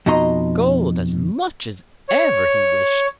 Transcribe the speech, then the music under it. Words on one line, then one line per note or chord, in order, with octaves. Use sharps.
Gold as much as ever he wished.
F2 B2 D#4 D#5 A#5 C6
C#5